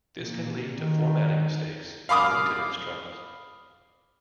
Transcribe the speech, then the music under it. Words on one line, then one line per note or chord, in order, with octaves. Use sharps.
This can lead to formatting mistakes and maintenance troubles.
A#2
D#3
F5 B5 D6 D#6 F6